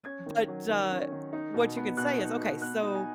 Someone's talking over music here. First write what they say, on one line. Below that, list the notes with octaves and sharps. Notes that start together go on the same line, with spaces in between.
but, uh, what you could say is, "Okay, so"
C#4 G#6
D#3
F#3
D#3
C#4
D#3
D#4
B2
B3
B2 F#6
D#4
B2
B3 F#6
D#4 D#6
G#5